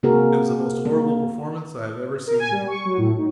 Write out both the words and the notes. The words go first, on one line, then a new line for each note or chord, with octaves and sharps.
It was the most horrible performance I have ever seen.
C3 A#3 F#4 G#4 A#4
A#3
A#4
G#5
G3
C#6
F#3
A2
D#4